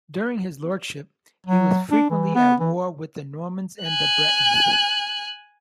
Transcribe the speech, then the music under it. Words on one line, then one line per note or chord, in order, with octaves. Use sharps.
During his lordship, he was frequently at war with the Normans and the Bretons.
F#3
D4
E3
B3
E3
G#5 F#6